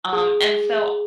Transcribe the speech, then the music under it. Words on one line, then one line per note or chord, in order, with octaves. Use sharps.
um, and so
G#4